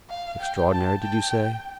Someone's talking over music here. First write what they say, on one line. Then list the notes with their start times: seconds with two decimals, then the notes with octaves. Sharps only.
"Extraordinary, did you say?"
0.10 F5
0.40 G5
0.72 A5
1.03 G5